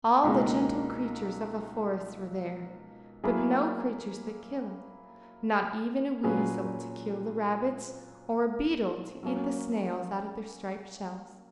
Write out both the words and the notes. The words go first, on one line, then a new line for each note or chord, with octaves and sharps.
All the gentle creatures of a forest were there, but no creatures that killed, not even a weasel to kill the rabbits, or a beetle to eat the snails out of their striped shells.
C#2 B2 A#3 D#4 G#4
F#3 A#3 E4 G#4
A#2 F#3 C#4 G#4 B4
F#3 A#3 C#4